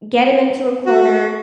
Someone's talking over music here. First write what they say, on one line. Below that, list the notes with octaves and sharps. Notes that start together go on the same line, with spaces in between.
get him into a corner,
F#4